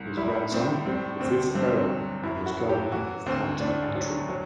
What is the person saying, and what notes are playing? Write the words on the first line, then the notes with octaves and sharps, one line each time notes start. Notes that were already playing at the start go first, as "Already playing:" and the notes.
His grandson, the fifth Earl, was Governor of County Antrim.
Already playing: C2
G3 E4
A2 C4
G3 C4
D2 C4
G2 C4
C4
F#3
F#2 E4
F#4
F#3
G4
E3 F#4
D2 C4
A2 D4
F#3
F#3